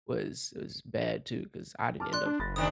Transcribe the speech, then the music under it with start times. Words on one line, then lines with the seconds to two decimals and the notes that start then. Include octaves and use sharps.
Was was bad too 'cause I didn't end up
2.00 A5 D6 F6
2.13 D5 C6 F#6
2.26 D4
2.40 F#1 B5 A6 A#6
2.56 G#2 D#3 D4 D#6